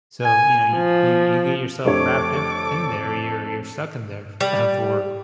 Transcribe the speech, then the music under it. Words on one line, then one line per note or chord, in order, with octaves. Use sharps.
So, you know, you you you get yourself wrapped up in there, you're you're stuck in there f ah, for
G#5
F3
F2 A3 D4 G4 A4 C5 C#5 D6
G3